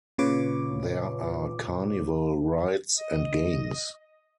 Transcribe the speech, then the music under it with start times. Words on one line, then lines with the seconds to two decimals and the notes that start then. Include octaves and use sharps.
There are carnival rides and games.
0.18 A#2 C#3 F4 B4 C#5 D6
2.99 D#5